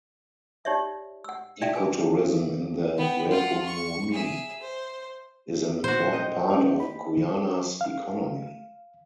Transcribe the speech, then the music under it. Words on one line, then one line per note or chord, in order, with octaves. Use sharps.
Eco-tourism in the Rupununi is an important part of Guyana's economy.
D#4 G4 C#5 D5 E5
F#5 E6
D5 E5 F5 G5
G#4 B4 G#5
B3 G5
F4 F#5
C#6
G#4 E5
C5
A#2 F#4 C5
D#5 G5 G6
C#4
B5
F5